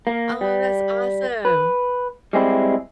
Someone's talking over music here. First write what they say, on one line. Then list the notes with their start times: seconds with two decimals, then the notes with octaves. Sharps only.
Oh, that's awesome.
0.07 A#3
0.41 G3
1.45 B4
2.33 G3 G#3 C4 E4